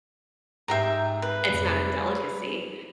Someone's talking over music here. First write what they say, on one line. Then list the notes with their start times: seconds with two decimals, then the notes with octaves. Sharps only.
it's not a delicacy.
0.68 G#2 G4 E5 G5 A#5 C7
1.22 B4
1.49 F1
1.80 G3